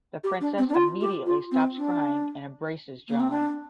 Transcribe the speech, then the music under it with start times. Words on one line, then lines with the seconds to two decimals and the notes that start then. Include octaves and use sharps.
The princess immediately stops crying and embraces John.
0.23 G4
0.41 D4
0.58 C4
0.69 D4
0.74 F4
1.00 G4
1.26 F4
1.51 C4
1.77 D4
3.09 A#3
3.20 C4
3.30 D4